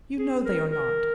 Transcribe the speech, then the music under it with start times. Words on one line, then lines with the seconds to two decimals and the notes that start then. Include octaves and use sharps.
You know they are not.
0.19 G#4
0.45 A#4
0.72 A#4